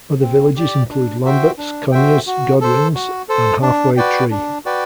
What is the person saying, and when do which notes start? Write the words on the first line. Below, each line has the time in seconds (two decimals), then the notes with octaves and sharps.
Other villages include Lamberts, Conyers, Godwin's and Half Way Tree.
0.22 C4
0.56 G4 D5
0.90 D4
1.24 F#4 C5 E5 G5
1.58 D4
1.92 F#4 C5 E5 G5
2.27 F#4
2.61 A4 C5
2.95 F#4
3.29 A4 C5
3.62 D4
3.97 F#4 B4 D5 G5
4.31 D4
4.65 F#4 B4 D5 G5